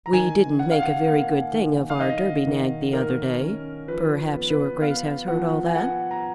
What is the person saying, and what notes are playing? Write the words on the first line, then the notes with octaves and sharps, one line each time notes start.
"We didn't make a very good thing of our Derby nag the other day. Perhaps your Grace has heard all that?"
A#5
D#3 G#5
C#4 F#5
F5
F#5
A#3 F5
D#3
F5
D#3 D#5
D#3
D#3 A#4
C#4
F3 B4
B3
B4
B3 F5
F3 F#5
G#5
B3 F#5
A#5